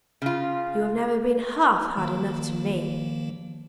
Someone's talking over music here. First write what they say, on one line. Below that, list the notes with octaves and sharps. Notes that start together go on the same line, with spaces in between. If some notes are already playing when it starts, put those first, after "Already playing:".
You have never been half hard enough to me.
C#3 F4
D#3 F3 A#3